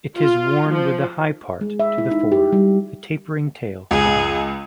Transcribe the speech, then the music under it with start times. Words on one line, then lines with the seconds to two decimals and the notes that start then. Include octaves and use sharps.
It is worn with the high part to the fore, the tapering tail behind.
0.16 F4
0.71 F3
1.61 G#3
1.80 E5
1.98 E4
2.11 D#4
2.32 G4
2.53 G3
3.91 C#2 G#4